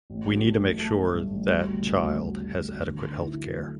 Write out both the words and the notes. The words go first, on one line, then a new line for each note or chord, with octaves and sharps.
We need to make sure that child has adequate health care.
A1
F#3
A3
A1
A3
A3
G2
A1
G3
D2
C#3
D2
D2
D2
D2
D2
D3
D3
E4
F#3
A3